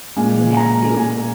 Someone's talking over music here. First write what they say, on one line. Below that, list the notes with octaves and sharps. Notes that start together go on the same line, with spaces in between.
You have to.
A#2 G#3 G#5
G#5
A#5
G#5